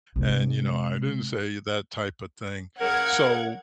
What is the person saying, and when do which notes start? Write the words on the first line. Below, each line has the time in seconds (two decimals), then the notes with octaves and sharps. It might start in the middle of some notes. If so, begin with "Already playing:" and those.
And, you know, "I didn't say," that typa thing. So,
0.16 C3 G#3
2.81 C#3 A#4 F#5 G#6